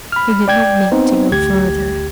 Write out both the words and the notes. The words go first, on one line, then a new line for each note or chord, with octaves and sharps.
He did not need to go further.
B5 F6
D5 G5 G#6
B3 C4 D#4 C5
A1 D2 G4 G#6